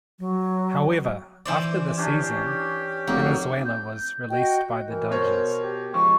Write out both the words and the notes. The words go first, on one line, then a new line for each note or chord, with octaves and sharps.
However, after the season, Valenzuela was released by the Dodgers.
F#3
E3 C5 D5
C#4 D4 G4
F1 F#3 A#3 D#4
G6
F#4 D#5 G5 G6
E3 A#4
B2 C5 C#5
G4
F3 G#3 C#6